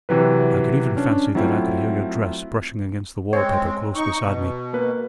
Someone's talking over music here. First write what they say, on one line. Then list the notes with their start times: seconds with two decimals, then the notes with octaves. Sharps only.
I could even fancy that I could hear your dress brushing against the wall-paper close beside me.
0.09 C3 E3 F#3 B4
0.97 C#4 D4
1.35 F#3 A3 C4 E4 F4
3.33 G#3 C4 C#5
3.95 D#4 C#6
4.21 B2
4.73 A#3 B4